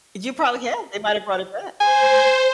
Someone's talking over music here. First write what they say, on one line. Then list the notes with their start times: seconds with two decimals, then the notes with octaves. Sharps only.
You probably have. They might have brought it back.
1.80 C5 G#5